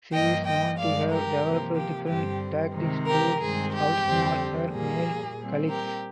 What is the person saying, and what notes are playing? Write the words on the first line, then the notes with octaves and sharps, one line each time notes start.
She is known to have developed different tactics to outsmart her male colleagues.
G2 F3 A#3 D#5 G5
D#5 G5
G2 F3 G#3 D5 F5
G4 A#4
C3 F3 A#3
G4
G2 D3 G3 C4 G4
C3 D#3 G#3 C4
G4 A#4
G2 D#3 G#3 C4 G#4
G4
F2 D3 G3 C4
A#2 G3 A#3 G#4
A#2 G3 C4
G4 A#4